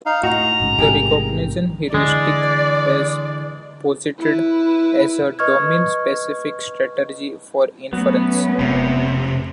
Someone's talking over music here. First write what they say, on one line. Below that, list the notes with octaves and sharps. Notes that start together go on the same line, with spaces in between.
The recognition heuristic is posited as a domain-specific strategy for inference.
D#4 F5
A2 D#4 F#4 A#5
A1 G#2 C#3
A1 G#2 C3 G4 G#4 A#4
D3 E3 G#3 D5
E4 B4
B4 D#5 C#6 F6 G#6
F#3 A3 B3 C#4 B4
F1 C3